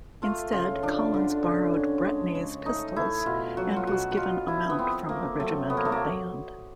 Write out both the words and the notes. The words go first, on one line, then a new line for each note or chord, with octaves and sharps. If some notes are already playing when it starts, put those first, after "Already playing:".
Instead Collins borrowed Bretney's pistols and was given a mount from the regimental band.
A3 F4
C#3 F4
F3 D4
D3
C#3
C#3
G#3
C#3
A3 D#4
A3 E4
B2 F4
F#3 F#4
F4
B2 F#4
F#4
B2 F4
F3 E4
B3
F3 C4
A3 A#3
F#3 A3
C3 B3
A#3
A3
A#3